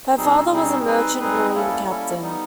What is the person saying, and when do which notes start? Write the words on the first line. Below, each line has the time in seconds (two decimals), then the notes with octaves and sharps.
Her father was a merchant marine captain.
0.17 B2 G3 C4 D#4 G#4
0.52 B2 G3 C4 D#4 G#4
0.85 G3 C4 D#4 G#4 B4
1.19 G3 C4 D#4 G#4 B4
1.54 G3 A#3 C#4 E4 A4
1.87 G3 A#3 C#4 E4 A4
2.21 G3 B3 D#4